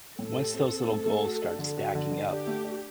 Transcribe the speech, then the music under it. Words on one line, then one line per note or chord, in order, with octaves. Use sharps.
once those little goals start stacking up,
A2 A4
G4
C4
C4
A3
A3
F#4
D4
D3
F#4
D3
D3
D4 G4
A3
D4